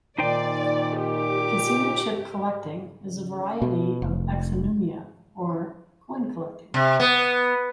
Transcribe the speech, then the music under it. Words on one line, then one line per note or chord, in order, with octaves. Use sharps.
Casino chip collecting is a variety of exonumia, or coin collecting.
A#2 D#3 D#4 C5 D5 G5
G4 D6
B2
F1
C3
B3